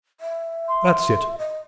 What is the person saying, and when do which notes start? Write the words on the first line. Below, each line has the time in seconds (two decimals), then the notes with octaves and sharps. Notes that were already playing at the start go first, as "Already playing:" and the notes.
That's it.
0.20 E5
0.68 C6
1.38 D#5